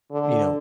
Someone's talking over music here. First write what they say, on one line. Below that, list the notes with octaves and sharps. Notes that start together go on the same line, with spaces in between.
you know,
D3